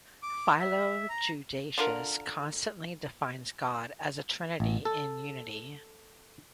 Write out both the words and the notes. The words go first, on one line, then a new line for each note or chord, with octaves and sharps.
Philo Judaeus constantly defines God as a Trinity in Unity.
D6
E5
A#5
D3 F4 A#4
A1
A4